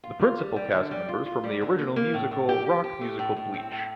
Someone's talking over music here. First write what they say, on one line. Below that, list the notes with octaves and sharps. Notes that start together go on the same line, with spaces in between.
The principal cast members from the original musical "Rock Musical Bleach".
F4
F4
G3
G3
D3
G3
F4
F4
G3
D3
A#3
A#3
A2
A2
G4
G4
G4
A3
A2
A2
C4
A2